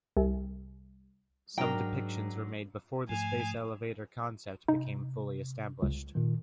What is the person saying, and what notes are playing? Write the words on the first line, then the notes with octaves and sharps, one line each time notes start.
Some depictions were made before the space elevator concept became fully established.
C2
G#2 F#3 D4 A#4 G5
G#2 F3 A3 G#5
C3 D#4
C#2
A#2 D#3